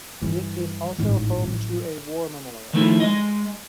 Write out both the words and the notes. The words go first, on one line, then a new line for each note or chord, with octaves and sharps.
It is also home to a war memorial.
G2 E3
A1 G#2
A1 F#3
D#3 F3 A3 D#4 E4
G#3 D#5